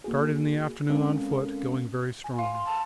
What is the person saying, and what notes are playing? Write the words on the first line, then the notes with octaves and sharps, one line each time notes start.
Started in the afternoon on foot, going very strong.
A#3 F#4 G#4
G#3 C4 C#4 A4 A#4 F5
G#5
F5 C6
C6
A5